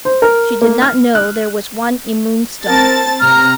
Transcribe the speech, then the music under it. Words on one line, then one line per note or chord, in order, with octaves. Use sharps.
She did not know there was one in Moonstone.
C5
A#4
A#3
F6
F#6
C4 A#4 A5 A6
C3 A#5 F6